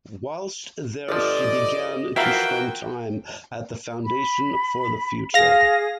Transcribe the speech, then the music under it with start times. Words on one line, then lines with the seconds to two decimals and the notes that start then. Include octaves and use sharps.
Whilst there she began to spend time at the Foundation for the Future.
1.09 G1 F3 D5 D#5
2.16 E3 F3 E4 F#4 A#4 F5 G5 A#5
4.05 B5
5.34 G#4 F5 A#6